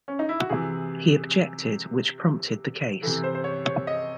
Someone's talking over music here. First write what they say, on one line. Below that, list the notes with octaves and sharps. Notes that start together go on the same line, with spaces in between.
He objected, which prompted the case.
C#4
D#4
E4
F#4
C3 E3 G#4
C3 E3 A4
C5
C5
C#5
C#5
D#5